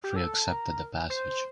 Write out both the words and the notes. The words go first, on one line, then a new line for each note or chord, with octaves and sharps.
Three accepted the passage.
G4
A4
A#4
C5